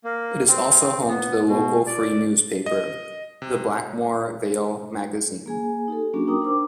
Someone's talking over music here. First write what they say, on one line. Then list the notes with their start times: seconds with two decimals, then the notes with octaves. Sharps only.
It is also home to the local free newspaper, the Blackmore Vale Magazine.
0.04 A#3
0.48 C4
1.08 B3
1.47 B2
1.87 D5
2.66 D#5
3.42 C3
5.46 A#3 G#4 G#5
5.88 D#4 G4 A4
6.14 F#3 A#3 C#4 D4 F#4 G#4
6.27 D#4 A#4 G5 A#5 D6 D#6
6.42 D4 A#4 C5 G5 D6 E6